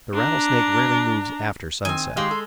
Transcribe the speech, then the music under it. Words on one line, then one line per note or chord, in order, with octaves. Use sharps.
The rattlesnake rarely moves after sunset.
D4 A#5
D#3 C4 G#5
D#3 G#3 G4 F5 C6
A4